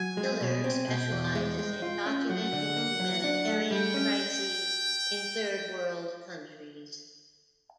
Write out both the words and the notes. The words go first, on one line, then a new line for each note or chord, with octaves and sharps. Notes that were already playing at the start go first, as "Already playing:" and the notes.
Miller specializes in documenting humanitarian crises in third world countries.
Already playing: F#3 G#5
G#3
B2
C4
B2 G5
E2
G#3
G#3
F4
C#4
F#3 F#5
D3
A#3
F#3
D4
A3
G3 G5
C#4